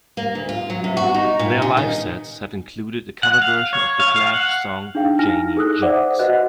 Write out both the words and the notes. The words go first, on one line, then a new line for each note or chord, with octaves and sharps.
Their live sets have included a cover version of The Clash's song, "Janie Jones".
A#3
D2
F4
F#3
C3
F#4
D#4
A#2
C#3
D#3
F#5
F5
C#5
F5
F5
F#5
D4 D#4 G#4 F5 G5
D#4 E4 G#5 F6 A#6
D#4 G#4 A4 D#6 E6 F#6
C5 D5 E5 F#5 D6
F#4 B4 D#5 F#5 F#6